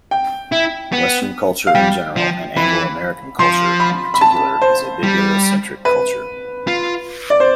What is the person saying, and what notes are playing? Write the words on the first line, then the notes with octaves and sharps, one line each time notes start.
Western culture in general and Anglo-American culture in particular is a bibliocentric culture.
G5
E4
B3
F5
G3 G5
F3
E3 B5
F3 C6
B5
B5
A5
C5
G3
B4
F4
D5
C5